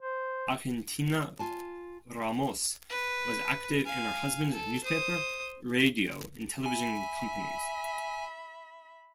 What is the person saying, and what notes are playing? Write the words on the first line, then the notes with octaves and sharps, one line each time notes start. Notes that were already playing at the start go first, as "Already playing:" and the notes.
Argentina Ramos was active in her husband's newspaper, radio and television companies.
C5
F4 G#5 A5
B4
F5 G#5
A4
C5 D#6
E5 G#5 B5